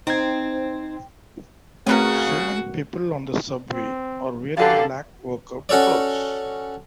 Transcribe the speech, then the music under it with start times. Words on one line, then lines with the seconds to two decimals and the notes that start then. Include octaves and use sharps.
So many people on the subway are wearing black workout clothes.
0.07 C4 D#4 C5 G#6
1.86 C#3 A3 C4 F#4 A#4 B4 G#5
3.73 C4
4.57 F#2 D3 G4 A4 B4 F5 A5
5.69 C#4 F#4 A4 C#5 D5